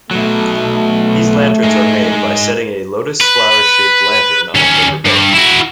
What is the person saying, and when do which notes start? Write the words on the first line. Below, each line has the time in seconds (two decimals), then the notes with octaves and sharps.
These lanterns are made by setting a lotus flower-shaped lantern on a paper boat.
0.11 B2 F#3 A3
1.64 G#3 D#4
3.21 B4
4.55 D#2 C#4
5.05 G2
5.33 E4 F#4